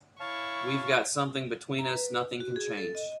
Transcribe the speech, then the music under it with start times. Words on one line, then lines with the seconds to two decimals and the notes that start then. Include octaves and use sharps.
We've got something between us nothing can change.
0.20 E4 C#5 F5 A5 C#6
1.79 A#5
1.93 B4
2.40 F#4
2.56 G#4
2.77 A4
2.95 D#5